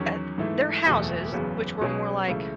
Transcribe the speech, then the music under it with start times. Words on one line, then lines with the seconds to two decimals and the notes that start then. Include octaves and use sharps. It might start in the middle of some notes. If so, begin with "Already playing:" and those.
uh their houses, which were more like
Already playing: E2 D#3 F#3 C#4
0.38 G#2 E3 A3 E4
0.85 F#1 E2 B2 A3
1.33 F#1 E2 C#3 F#3 B3
1.80 B1 B2 F#3 C#4 G#4
2.28 C#2 C#3 E3 A3